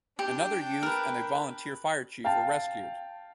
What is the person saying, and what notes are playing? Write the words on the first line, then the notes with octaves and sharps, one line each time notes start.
Another youth and a volunteer fire chief were rescued.
D4 G4 G5
A#4 B4
F5 G5 A5